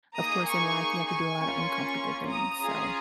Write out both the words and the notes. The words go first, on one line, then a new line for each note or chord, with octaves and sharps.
of course, in life, you have to do a lotta uncomfortable things. So,
A#3 D#4 G#4 A#5 D#6
G#5 C#6
G#5 C#6
A#3 C#4 F4
A#5 D#6
C#4 F4 G#4